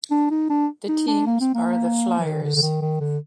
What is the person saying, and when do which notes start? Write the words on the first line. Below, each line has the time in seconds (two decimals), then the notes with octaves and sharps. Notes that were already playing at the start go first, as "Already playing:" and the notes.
The teams are the Flyers.
0.11 D4
0.31 D#4
0.49 D4
0.88 D#4
1.07 D4
1.27 A#3
1.41 C4
1.54 A#3
2.19 F3
2.23 D#3
2.43 D3
2.55 D3
2.62 D#3
2.81 D#3
3.00 D3